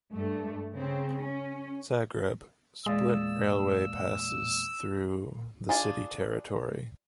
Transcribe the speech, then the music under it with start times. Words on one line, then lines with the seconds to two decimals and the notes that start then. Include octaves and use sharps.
Zagreb - Split railway passes through the city territory.
0.13 G2 A3
0.74 C#3 C4
1.22 C#4
2.86 E2 A#2 G#3 D5 F5 D#6 E6
5.69 D4 F4 G#4